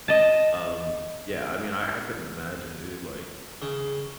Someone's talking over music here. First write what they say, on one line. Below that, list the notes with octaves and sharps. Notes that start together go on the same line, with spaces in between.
um, yeah, I mean, I I couldn't imagine, dude, like
D#5 A5
C#3